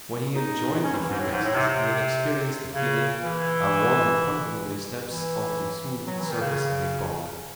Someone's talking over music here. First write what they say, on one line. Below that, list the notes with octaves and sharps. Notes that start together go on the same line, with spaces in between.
When he had joined the Freemasons he had experienced the feeling of one who confidently steps onto the smooth surface of a bog.
D#4
C#4
E3
G#2
A2
G#2
A2
C3
C3
C#3
E3
E3
F#3
E3
D#3
C#3